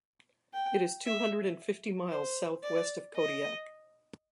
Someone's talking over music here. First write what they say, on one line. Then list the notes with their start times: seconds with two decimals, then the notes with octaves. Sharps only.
It is two hundred and fifty miles southwest of Kodiak.
0.53 G5
1.06 E5
2.10 C5
2.63 D5
3.16 D#5